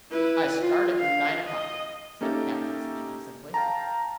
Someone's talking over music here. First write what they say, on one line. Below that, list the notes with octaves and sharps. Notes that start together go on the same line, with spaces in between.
"I start at nine o'clock," said Captain Speedy, simply.
E4 B4
F4
F5
D#5
A#3 C#4 D#4 G4 A4 E5
F5 G5 A5 A#5